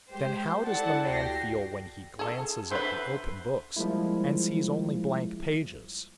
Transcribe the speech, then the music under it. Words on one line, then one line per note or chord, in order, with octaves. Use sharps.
Then how does the man feel when he glances at the open books and sees only blank pages?
G#3 G4 C5
E4 A4 D5 F#5 A5
D2 F#4 G4 G5 A#6 C7
G#4 A4
D3 B4 C5 E5 B5
F3 G3 G#3 A#3 E4